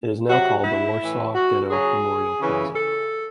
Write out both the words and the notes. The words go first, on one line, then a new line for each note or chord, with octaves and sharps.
It is now called the Warsaw Ghetto Memorial Plaza.
C3 F#3 F#4
E4
A2 E3
F#4
C#3 F#3 G#4
C#3 E3
A4